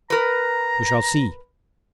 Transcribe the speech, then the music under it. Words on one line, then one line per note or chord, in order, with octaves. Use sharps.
We shall see.
A#4 B4 A#5